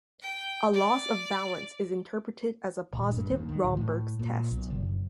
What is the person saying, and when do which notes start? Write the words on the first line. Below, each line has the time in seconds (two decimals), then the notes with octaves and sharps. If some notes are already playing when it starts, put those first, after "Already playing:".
A loss of balance is interpreted as a positive Romberg's test.
0.22 G5
0.74 D5
2.93 D#1
3.11 G2
3.30 D#2
3.49 D#3
3.64 D1
3.77 A2
4.19 A#2
4.51 B1
4.70 F#1